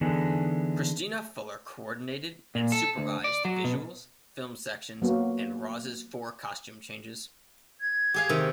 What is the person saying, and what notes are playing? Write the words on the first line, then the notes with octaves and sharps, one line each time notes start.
Kristina Fuller coordinated and supervised the visuals, film sections and Rozz's four costume changes.
D3 E3 B3 D4 D#4 G#4
A#2
A4
D2
D5
F#3
B2
F#3 A#3 B3 F#4
G#6
G4 G#4 F5
C3 D#3